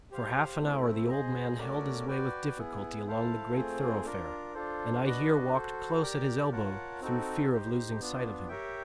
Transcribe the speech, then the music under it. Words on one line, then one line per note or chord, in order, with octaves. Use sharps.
For half an hour the old man held his way with difficulty along the great thoroughfare; and I here walked close at his elbow through fear of losing sight of him.
G4 C5 F5
A3 C4 E4
G#4 C5 D#5
A3 C#4 F#4 A#4 D5
F#4 B4 D5 G5
B3 E4 G#4
E4 A4 C5 F5 A5
A3 C4 F4 G#4 C5
D4 F4 A#4
D4 F4 A4 C5
D4 F#4 B4 D#5
F#4 A4 C5
G4 A#4 D5
F4 A#4 C#5 F#5 A5
C4 D#4 F#4 A4
D#4 G4 C5
B3 D4 F4
G4 A#4 C#5 E5 G5